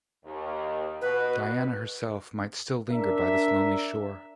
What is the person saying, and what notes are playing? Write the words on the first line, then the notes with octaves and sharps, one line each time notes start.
Diana herself might still linger by this lonely shore.
D#2
B2 B4
D4 A#4 E5